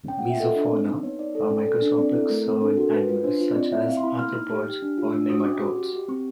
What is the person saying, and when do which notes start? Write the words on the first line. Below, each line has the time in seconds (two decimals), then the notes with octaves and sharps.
"Mesofauna" are macroscopic soil animals such as arthropods or nematodes.
0.08 C#4 G5
0.19 F#5
0.25 F4
0.30 E5
0.40 A4 D#5
0.56 D4
0.71 C4
0.88 D#4
1.03 B3 C#5
1.19 D#4 D5
1.35 A4
1.50 C#4
1.66 A4
1.82 D4
1.98 C4 D5
2.14 E4 A4
2.29 A3 A#4
2.46 C4 A4
2.61 D4 A4
2.77 F#4 A#4
2.93 C#4 B4
3.09 F4 B4
3.24 D4 C5
3.41 F4
3.51 D#5
3.56 C4 D5
3.72 E4 E5
3.87 C4 F5
3.97 C6
4.03 E4 B5
4.19 A#3 F6
4.35 D#4
4.47 G4 F6
4.67 G4
4.82 D4
4.98 F4
5.14 D4 E6
5.30 F#4 D#6
5.40 C#6
5.46 C#4 D6
5.61 F#4
5.78 G4
5.93 G4
6.09 C4 C#6